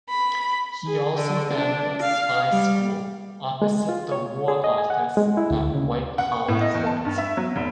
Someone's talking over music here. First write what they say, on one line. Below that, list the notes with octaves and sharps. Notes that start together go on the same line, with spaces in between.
He also founded a spy school opposite the War Office at Whitehall Court.
B5
G#4
D3
D4
F5
G3
G#3
F4
C#5
G#4
D#5
G#5
F#5
G#3
E4
D2
C#3
F#5
C#6
A2
D#5
E2
A5
G2
E5
F#3
F1